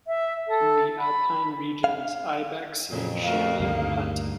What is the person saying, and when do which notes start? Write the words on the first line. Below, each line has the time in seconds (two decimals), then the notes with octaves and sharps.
In the alpine regions ibex and chamois were hunted.
0.07 E5
0.47 A4
0.99 B5
1.84 F5
2.91 F2 A#2 C#3 F#3
3.23 A3 F#4 A#4 F5
3.60 D2 G2 D#3 G3 A#3